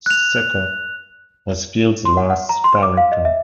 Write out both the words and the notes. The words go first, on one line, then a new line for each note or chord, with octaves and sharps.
"Sucker" was Fields' last starring film.
F#6 F7
C6
F#5
F#5
A#5
C6
D6
F5
D#5
E5